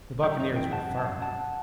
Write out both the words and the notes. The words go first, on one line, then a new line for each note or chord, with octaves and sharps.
The buccaneers were firm.
G3 E5 G5
F#2 C#5 E5
E3 E5 G5
F#2 F#5 A5
F#2
F#5 A5
F#2
F#2 F#5 A5